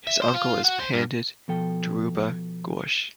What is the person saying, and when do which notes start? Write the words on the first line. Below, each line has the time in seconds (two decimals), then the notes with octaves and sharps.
His uncle is Pandit Dhruba Ghosh.
0.07 E5
0.22 C5
0.34 F4
0.65 F#4
0.80 C5
0.93 G2
1.48 B2 F3 A4 G5